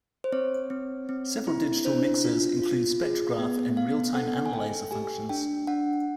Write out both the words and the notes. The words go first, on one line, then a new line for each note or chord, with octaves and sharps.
Several digital mixers include spectrograph and real time analyzer functions.
C5
C4 C#5
C4
C4
E4
D4 C5
F4
F4
G#4
B3
B3 F5
A4 F#5
G#5
A4 G5
G4 G#5
D4 G5
D4 F#5